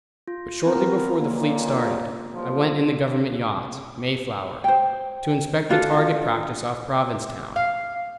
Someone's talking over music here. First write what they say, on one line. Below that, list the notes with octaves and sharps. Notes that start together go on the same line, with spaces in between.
But shortly before the fleet started, I went in the Government yacht Mayflower to inspect the target practice off Provincetown.
F4
B3 C4 F4 A#4
C#2 A#2 A#3
B1 G2 F3
C5 G5
D4 F4 F#4 A4
F5